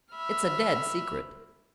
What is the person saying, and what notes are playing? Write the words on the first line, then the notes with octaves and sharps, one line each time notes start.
It's a dead secret.
E5 B5 F6